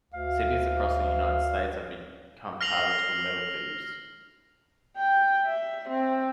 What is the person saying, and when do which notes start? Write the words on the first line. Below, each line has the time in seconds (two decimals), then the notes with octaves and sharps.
Cities across the United States have become targets for metal thieves.
0.11 D2 F5
2.61 F6 A#6 C7 F7 F#7
4.97 G5
5.46 E5
5.89 C4